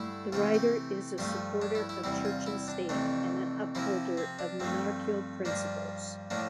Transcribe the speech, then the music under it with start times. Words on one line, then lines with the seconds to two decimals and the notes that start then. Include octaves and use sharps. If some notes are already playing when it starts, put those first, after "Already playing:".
The writer is a supporter of Church and State, an upholder of monarchical principles.
Already playing: G2 D3 A3 E4
0.33 C3 E3 A3 F4
0.54 G4
1.18 G2 F3 A3 G4
1.62 D4
1.75 E4
1.89 E4
2.04 E2 C3 G3 E4
2.25 F4
2.46 E4
2.68 D4
2.89 F2 C3 E3 A3 D4
3.75 C3 F3 A#3 E4
4.17 C4
4.39 D4
4.60 G2 F3 A3 C4
5.45 G2 F3 A#3 D4
6.30 A2 F3 A#3 D4